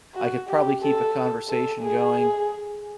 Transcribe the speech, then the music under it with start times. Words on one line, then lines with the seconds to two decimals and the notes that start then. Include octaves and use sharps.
I could probably keep a conversation going,
0.15 F#4
0.48 G4
0.81 A4
1.48 A4
1.81 G#4